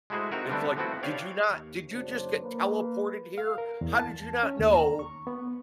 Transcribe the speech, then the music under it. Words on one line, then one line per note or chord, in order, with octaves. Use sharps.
It's like, "Did you not did you just get teleported here? How did you not know
G#3 A3 E4 F#4 G#4 C5
C4 D#4 F#4 A#4
D3 G3 A3 B3 C4 D4
F3 A3 B3 C4 E4 F#4
G4 C#5 D5 F5
D#2
F#1 D#3 F#3 D4 C5
A#3 B4
F5
A#4
E2
A5
C#4
D#2
A#5
C#6
B3